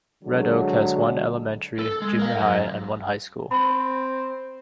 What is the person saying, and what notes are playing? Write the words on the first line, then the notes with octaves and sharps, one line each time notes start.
Red Oak has one elementary, junior high, and one high school.
D3 F#3 G#3
A4
G#3
A#4 F5
F#2
C4 B5